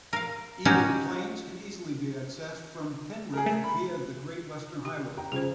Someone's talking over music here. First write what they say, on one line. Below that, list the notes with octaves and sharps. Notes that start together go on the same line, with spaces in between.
Emu Plains can easily be accessed from Penrith via the Great Western Highway.
A#4 F5
C#4 D#4 F#4 G4 A#4
G#4 A#4
A3
B5
G4
G5 A#5
C#3 F3 G#4 C5